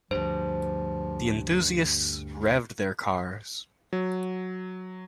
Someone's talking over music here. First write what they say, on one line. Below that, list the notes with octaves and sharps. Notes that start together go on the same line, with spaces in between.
The enthusiasts revved their cars.
D2 G2 F3 C5
F#3